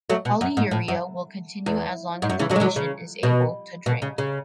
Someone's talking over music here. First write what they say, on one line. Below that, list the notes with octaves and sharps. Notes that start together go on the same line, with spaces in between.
Polyuria will continue as long as the patient is able to drink.
F#3 A3
B2
F#2
G#2
A2
F#2
E2
G#2
F#2
C#3 E3
D3 F#3
G#3
D3 F#3
C#3
B2
B2
C#3
C#3